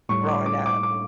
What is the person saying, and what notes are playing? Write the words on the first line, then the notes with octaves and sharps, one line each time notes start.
growing up.
A2 G3 C#6
D6
D6
D6
D6